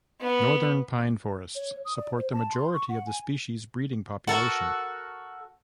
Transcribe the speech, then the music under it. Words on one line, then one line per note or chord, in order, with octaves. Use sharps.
Northern pine forests supports the majority of the species breeding population.
B3
C#5
D#6
D5
C5
A5
C6
C#6
F#5
G#5
F#4 A4 A#4